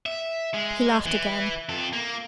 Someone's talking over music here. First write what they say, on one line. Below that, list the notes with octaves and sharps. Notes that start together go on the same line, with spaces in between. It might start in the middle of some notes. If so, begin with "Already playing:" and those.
He laughed again.
E5
G#3
E3
F2 A4
A#3